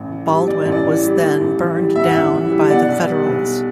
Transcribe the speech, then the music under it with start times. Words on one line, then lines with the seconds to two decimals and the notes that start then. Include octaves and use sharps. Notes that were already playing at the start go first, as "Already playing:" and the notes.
Baldwin was then burned down by the Federals.
Already playing: A1 A2
0.10 E3
0.28 G3
0.47 A2 D5
0.66 A1
0.72 D5
0.85 E3
1.03 G3
1.22 A2
1.40 A1
1.59 E3
1.77 G3
1.96 A2 E5
2.03 F#5
2.11 A1 E5
2.34 E3
2.52 G3
2.70 B2 D5 F#5
2.89 B1
3.08 G3
3.26 B1
3.45 B2